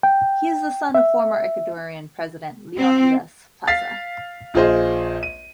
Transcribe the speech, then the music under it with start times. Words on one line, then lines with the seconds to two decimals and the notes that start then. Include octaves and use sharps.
He is the son of former Ecuadorian President Leonidas Plaza.
0.03 G5
0.95 E5
2.77 C4
3.67 F5 A6 B6 C7
4.54 A#1 F4 G#4 C5 D#5
5.23 D#7